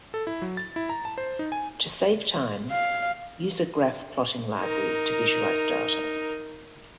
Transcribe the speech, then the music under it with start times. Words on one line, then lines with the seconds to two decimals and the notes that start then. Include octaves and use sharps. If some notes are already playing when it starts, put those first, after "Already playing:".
To save time, use a graph plotting library to visualize data.
0.14 A4
0.27 E4
0.42 F#3
0.57 A6
0.76 E4
0.89 A#5
1.05 A5
1.18 C5
1.39 D#4
1.52 G#5
2.71 F5
4.60 D#4 A#4